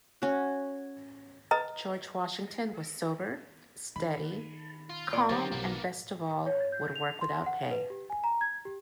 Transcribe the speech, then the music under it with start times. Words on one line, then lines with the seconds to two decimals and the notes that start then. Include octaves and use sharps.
George Washington was sober, steady, calm, and best of all, would work without pay.
0.22 C#4 F#4
1.51 B4 D#5 A#5 D#6
3.96 D#3 B5
4.90 F4
5.13 A#2 D5
5.29 D#2 D3 D#3 F#3 G4 A#4 C5 A6
5.52 B1 A#3 B3
6.46 C#5
6.72 G6
6.96 F7
7.21 C6
7.46 F#5
7.71 B4
7.90 G4
8.10 G#5
8.24 A#5
8.41 G#6
8.65 G4